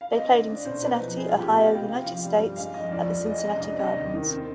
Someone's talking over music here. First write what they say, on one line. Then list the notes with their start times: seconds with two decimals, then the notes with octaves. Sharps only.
They played in Cincinnati, Ohio, United States, at the Cincinnati Gardens.
0.01 F5
0.13 C4 D#5
0.30 D3
0.47 D4
0.64 B2 C5
0.82 D#4 B4
1.00 F3
1.17 B3 G#4
1.28 F4
1.35 B2
1.40 G4
1.51 B3 D#5
1.60 G5
1.64 F5
1.70 C3
1.75 G5
1.86 C4 F5
2.04 F3 F5
2.22 G3
2.39 G2
2.56 G#3 F5
2.74 F2 D#5
2.91 F3 D5
3.08 F2
3.26 G#3 D#5
3.38 D#5
3.44 C3
3.49 D#5
3.60 D4 D#5
3.78 C3 D#5
3.96 D#2
4.14 D#3
4.31 C4